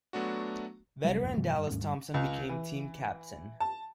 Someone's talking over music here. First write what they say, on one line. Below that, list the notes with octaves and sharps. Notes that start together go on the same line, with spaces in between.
Veteran Dallas Thompson became team Captain.
F#3 A3 B3 D4 F#4
A#1 C3 F#3 G3
A#1 E2 G2 B2
F#2 B2 D#3 E3
G2
D#2 G#2 C#4
G2
C#2
E3
A5